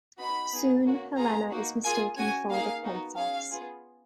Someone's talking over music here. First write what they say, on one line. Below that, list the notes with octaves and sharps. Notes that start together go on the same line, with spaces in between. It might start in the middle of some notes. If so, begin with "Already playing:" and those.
Soon Helena is mistaken for the Princess.
B3 D#4 F#4 B5
B3 D#4 G#4
A#3 C#4 F#4
B3 F4 G#4 A#5
A#3 D#4 F#4
A#3 F4 G#4 G#5
C#4 F#4 G#5
A#3 D#4 G#4 F5
B3 D#4 F#4
C#4 G#4 F5
B3 F4 G#4